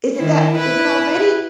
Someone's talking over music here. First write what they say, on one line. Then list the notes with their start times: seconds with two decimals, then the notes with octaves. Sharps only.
Is it that is it already?
0.16 D#3 E4
0.54 E4 B4